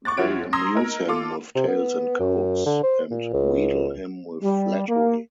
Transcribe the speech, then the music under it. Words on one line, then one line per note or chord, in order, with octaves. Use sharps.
They amuse him with tales and coax and wheedle him with flattery.
C#6 D6 F#6 A6
F1 F3 E4 F#4 C#5 D7
A#5 C6 D#6 E6 G#6 A#6
D#4 A#4
F4 A4 D6
C3
B3
F#2
D3
C5
A#2
C#2
G3
A#3